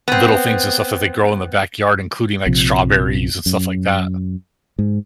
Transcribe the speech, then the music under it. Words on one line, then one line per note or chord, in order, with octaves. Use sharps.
little things and stuff that they grow in the backyard, including, like, strawberries and stuff like that.
B3 C4
A#1 C3 F3
F#2
G#2